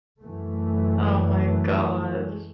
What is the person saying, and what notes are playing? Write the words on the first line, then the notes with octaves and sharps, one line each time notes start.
Oh my gosh.
F#2 E3 A3